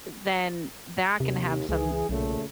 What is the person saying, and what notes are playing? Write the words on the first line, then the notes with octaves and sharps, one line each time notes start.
then that can have some
D#2 C3
C#2 E3 G#4
B1 A#2 C#3 A3